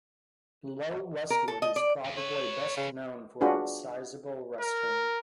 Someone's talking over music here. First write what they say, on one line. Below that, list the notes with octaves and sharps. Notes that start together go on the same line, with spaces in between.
Low Westwood is probably best known for its sizeable rest home.
A#4
A4
D#5
D5
E2
A4 B4 C#5
C#3
D4 F4 F#4 G#4 B4
A#4